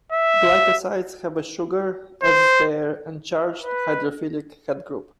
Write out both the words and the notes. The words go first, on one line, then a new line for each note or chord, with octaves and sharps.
Glycosides have a sugar as their uncharged hydrophilic headgroup.
E5
C5
B4